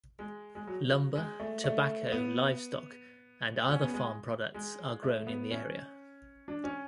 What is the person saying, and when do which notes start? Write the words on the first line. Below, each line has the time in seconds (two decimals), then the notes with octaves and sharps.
Lumber, tobacco, livestock, and other farm products are grown in the area.
0.19 G#3
0.55 G#3
0.67 F#3
1.15 G#3
1.40 A3
1.64 A3
2.12 B3
3.70 C#4
3.82 B3
3.94 G#3
4.54 G#3
5.03 A3
5.27 B3
5.51 C#4
6.48 D4
6.64 C#4